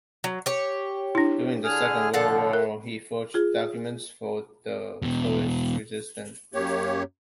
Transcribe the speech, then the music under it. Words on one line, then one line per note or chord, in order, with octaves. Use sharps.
During the Second World War he forged documents for the Polish resistance.
F#3
G4 C#5
D4 E4
D3 G#4 F6
B2 D3 F3 A4 F5 F#5
A#4
F4 G#4
E2 B2
F#2 A#3 G4 C#5